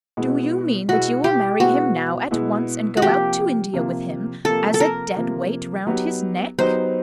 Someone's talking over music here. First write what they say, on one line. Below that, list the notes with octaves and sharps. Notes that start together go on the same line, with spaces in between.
"Do you mean that you will marry him now, at once, and go out to India with him, as a dead weight round his neck?"
B2 G#3 B3 E4
B2 G#3 B3 E4 F#4
G4
B2 G#3 B3 E4 F#4
B2 G#3 B3 E4
F#4
C3 F3 A#3 G4
C3 F3 A#3
C3 F3 A#3 A4
A4
A#4
C3 F3 A#3
F#3 B3 D#4 G4
F#3 B3 D#4 G4 C5